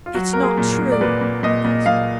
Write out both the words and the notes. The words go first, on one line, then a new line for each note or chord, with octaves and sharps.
"It's not true!" he gasped.
F4
F#3 F#4
A#3 A#4
G#4
A#2
A#4
A#2
D5
A#2 B4
A#2
A#2 D#5
A#2
A#2 F5